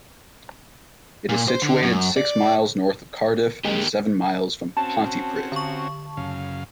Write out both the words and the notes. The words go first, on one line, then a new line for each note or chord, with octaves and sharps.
It is situated six miles north of Cardiff and seven miles from Pontypridd.
A#2
C5
D3
F#2
D5
D3 G#3 A#3 G4
C4 C#4 F#4 A5
D3 C#6
F#2 C#3 F5